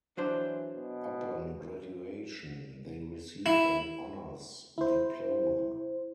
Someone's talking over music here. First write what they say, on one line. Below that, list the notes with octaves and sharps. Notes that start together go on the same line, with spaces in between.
Upon graduation, they receive an Honors diploma.
E3 F#3 D4 C5
B2
E4
E4 C5